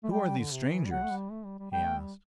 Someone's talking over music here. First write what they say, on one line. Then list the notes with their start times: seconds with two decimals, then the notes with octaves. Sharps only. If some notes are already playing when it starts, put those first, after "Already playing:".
"Who are these strangers?" he asked.
0.04 A3
0.11 G3 G5
0.25 G3
0.38 D3
0.51 C3
0.71 E3
0.85 G3
0.91 F#3 F#5
1.04 A3
1.12 G3
1.31 A3
1.45 G3
1.58 G3
1.72 G3 G5
1.85 A3
1.99 G3